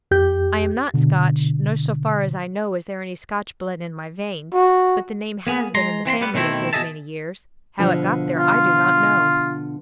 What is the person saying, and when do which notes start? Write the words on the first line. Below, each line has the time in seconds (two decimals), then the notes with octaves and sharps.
"I am not Scotch, nor so far as I know is there any Scotch blood in my veins, but the name has been in the family a good many years; how it got there I do not know."
0.11 F2 G4 G6
0.94 B2 D3
4.53 F#4
5.47 A#3 B3 G#4
5.75 G#3 A#5 C6
6.06 E3 C4 B5 C6
6.21 G3 B3 B4
6.34 B2 D#3 A3 C4 E4
6.73 B2 A3 G#4 D#5 E5 A5
7.79 B2 D3 F3
8.38 F4